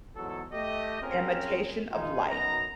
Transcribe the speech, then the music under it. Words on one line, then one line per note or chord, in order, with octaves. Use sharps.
Imitation of Life.
E2 G#2 F#3 A4
A3 G4 D#5
C4 C#4 F4 G#4 A#4
B2 D#4 F4 G#4
F#2 B2 D#4 A#5